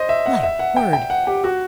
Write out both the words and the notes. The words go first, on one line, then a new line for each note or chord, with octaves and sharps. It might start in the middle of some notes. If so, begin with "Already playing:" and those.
My word!
Already playing: C5 D#5
E5
F#5
E5
F#5
G5
G5
F#5
G4
F#4